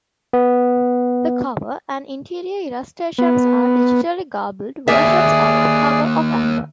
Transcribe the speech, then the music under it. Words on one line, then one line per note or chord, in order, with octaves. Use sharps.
The cover and interior illustrations are digitally garbled versions of the cover of "Amber".
B3
B3
D#2 D#3 G#4 D5 E5